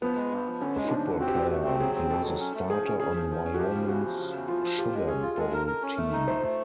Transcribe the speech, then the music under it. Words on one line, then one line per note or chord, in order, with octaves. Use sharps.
A football player, he was a starter on Wyoming's Sugar Bowl team.
F3 B3
G#3
G2
F3
D3 C#4
G#3
D#4
F3 D4
D3
C4 F#4
G4
B2 F#4
A3
C4
F#3 G#4
C4
B2 A4
F#3
C#4
A3
F3 G#4
C#4
C#4 G#4
F3
F3
C#4
F#4
F3 G4
C#3
E2 F#4
F3
C#3
E2
F3 F4
F3
F4 G4
G#3
C#4 G#4
F4
G#3 A4
A#4
A#4
C#4
A3
D#4
A3 C5
A3